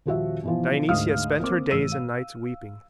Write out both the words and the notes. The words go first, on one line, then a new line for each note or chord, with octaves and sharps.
Dionysia spent her days and nights weeping.
D#1 F3 F#4 E5
B2 E3 F3
D2 G#2 F5 D#6 F6
A#3 C4 D6
A1 E6 D#7
F5